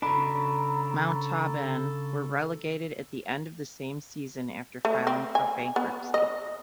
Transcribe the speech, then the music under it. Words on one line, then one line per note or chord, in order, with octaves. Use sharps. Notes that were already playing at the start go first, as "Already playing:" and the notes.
Montauban were relegated at the end of the same season after filing for bankruptcy.
C#3 D4 A4 A#5 B5
A3
C4
G#5
B3
D#5